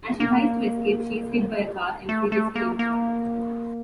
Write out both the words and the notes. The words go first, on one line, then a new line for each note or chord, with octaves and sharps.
As she tries to escape, she is hit by a car and seriously injured.
A#3
A3
A3
A#3
A#3